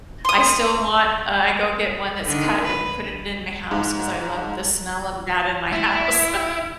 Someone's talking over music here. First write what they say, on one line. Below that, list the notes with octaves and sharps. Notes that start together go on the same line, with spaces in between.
I still want, uh, I go get one that's cut and put it in my house 'cause I love the smell of that in my house.
C6 D#6
D3 D#3
B4
G#2
E4